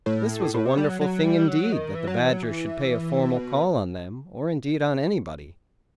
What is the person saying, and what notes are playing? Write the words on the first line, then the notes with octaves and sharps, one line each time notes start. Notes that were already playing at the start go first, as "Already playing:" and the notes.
This was a wonderful thing, indeed, that the Badger should pay a formal call on them, or indeed on anybody.
A2
A2
C3
G3
F#3
F#3
G3
F#3
D#3
E3
F#3
E3
F#3
E3
B2